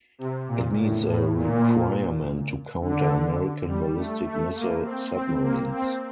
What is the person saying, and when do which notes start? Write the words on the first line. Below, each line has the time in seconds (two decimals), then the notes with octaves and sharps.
It meets a requirement to counter American ballistic missile submarines.
0.18 C3
0.48 A#2
0.76 A2
1.06 A2
1.35 A#2
2.81 D3
3.68 G3
3.97 A3
4.26 A3
4.55 A#3
4.84 C4
5.13 C4
5.42 A#3
5.72 C4